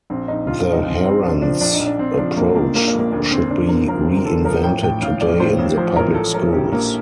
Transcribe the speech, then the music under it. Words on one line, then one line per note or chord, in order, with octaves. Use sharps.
The Harand's approach should be reinvented today in the public schools.
A#1 C4
A#1 D#4
A#1 F4
F4
F3
D#4
F3 C4
A#1 C4
A#1 D4
F3 D4
A#1 D4
D#4
A#1
D4
A#1 C4
F3 D4
A#1 A#3
F3 A#3
A#1 A#3
A#3
A#1
A#3
D2 A#3
D3 C4
D2 D4
D3 A#4
F3 A#4
D2 C5
A#4
D3 A4
F3 A#4
A1 G5
A2 G5
A1 F5
F3 D5
A2 C5
A1
F3 C5
A1 A#4
F3 A4
F3 A#4
A#1 G4
A#1 A#3